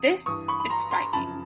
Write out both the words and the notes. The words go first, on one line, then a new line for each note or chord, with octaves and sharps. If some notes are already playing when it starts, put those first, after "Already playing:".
This is fighting.
Already playing: E2 C3 D#6
G2 E3 C#6 D#6
B5 C#6
B5
A#5 C6
A#5 C6
F#2 C#3 F3 A5 B5